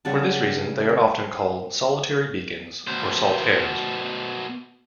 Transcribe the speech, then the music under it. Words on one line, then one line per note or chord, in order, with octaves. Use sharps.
For this reason, they are often called "solitary beacons" or "solitaires".
C#3 G3 F#5 A5
C4
B2 C5